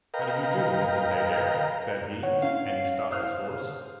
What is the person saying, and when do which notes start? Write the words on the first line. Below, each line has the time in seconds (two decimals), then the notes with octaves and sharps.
"How do you do, Mrs. Adair?" said he, and he stopped his horse.
0.14 A#4 B4 D#5 F5 G5 A#5
2.23 C#5 F#5
2.42 C#4 F5
3.11 C5 D#6 F6